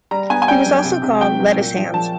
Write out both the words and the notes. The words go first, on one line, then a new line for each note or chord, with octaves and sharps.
He was also called "Lettuce Hands".
G3 A#5
B3 G#5
G#5
G3 G5
F#2
C3
C3
F#3 G5
F#3
A#2
F3
F3 A5